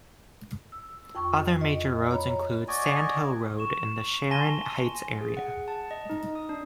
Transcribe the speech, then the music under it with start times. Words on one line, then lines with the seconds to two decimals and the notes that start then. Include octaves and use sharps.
Other major roads include Sand Hill Road in the Sharon Heights area.
0.72 E6
1.15 F2 G5 C#6
1.61 D#5
2.11 C#5 A#5 B5
2.68 F#4 D5 D#5 G#5
3.59 C#6 E7
4.31 G#5 A5 C6 A#6 D#7 G7
5.21 G#4
5.37 F#5
5.68 A5
5.91 D#5
6.10 D#4
6.35 D#6
6.49 D4